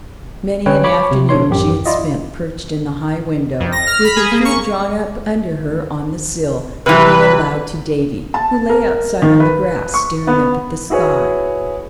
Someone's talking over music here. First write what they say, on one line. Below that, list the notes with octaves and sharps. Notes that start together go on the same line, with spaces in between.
Many an afternoon she had spent, perched in the high window, with her feet drawn up under her on the sill, reading aloud to Davy, who lay outside on the grass, staring up at the sky.
D3 C#4 B4 C#5 G5
C#5 B5 C#6 D6
C3
B2 F3 C#5 C6
A1 F#2 G4
E4 F4 D5 D#5
F2
A#6
F6
B5
G#4
A#3
C#6
C3 E3 B4
A5
A#4
D#3
B4
C#6
B3
E4 F#4 G#4 B4 C#5